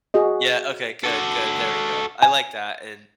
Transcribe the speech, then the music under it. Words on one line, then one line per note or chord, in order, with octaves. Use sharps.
Yeah, okay, good, good, there we go. I like that, and,
F#4 G#4 D#5
F#4 A4
G#5